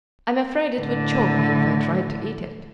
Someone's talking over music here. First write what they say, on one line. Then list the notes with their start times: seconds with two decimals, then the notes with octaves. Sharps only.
"I'm afraid it would choke me if I tried to eat it."
0.79 A2 D3